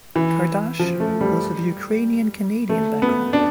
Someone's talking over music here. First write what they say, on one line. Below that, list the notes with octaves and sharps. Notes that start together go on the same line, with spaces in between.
Kardash was of Ukrainian Canadian background.
E3
F3
A3
G3
A3
B3
D4